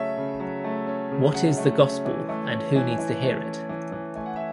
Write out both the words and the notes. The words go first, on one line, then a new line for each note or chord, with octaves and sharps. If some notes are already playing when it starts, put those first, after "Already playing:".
What is the gospel and who needs to hear it?
Already playing: C#3 F#3 A3 C#4 E5
C#3
F#3
A3
C#4
C#3
F#3 F#5
A3
C#4
E3
A3
C#4
E3 G#5
E3
A3
C#4
E3
E3
A3 G#5
F#5
E5